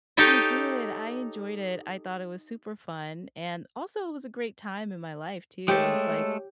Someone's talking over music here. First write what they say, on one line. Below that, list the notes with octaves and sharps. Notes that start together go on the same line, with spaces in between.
I did, I enjoyed it, I thought it was super fun, and also it was a great time in my life too, and it's like,
D#4 G4 A4 C#5 D#5
G#3 A3 G4 A4 C#5 E6